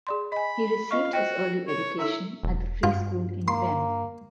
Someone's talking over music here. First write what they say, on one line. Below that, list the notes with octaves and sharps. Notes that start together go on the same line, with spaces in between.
He received his early education at the free school in Wem.
G#4 D5 C6
D#5 G#5 B5
F4 D#5 F5 C#6
F#4 C5 D#5 G5
C#5
D#4 E4 A4 E5
E1
G2 F4
A#3 C6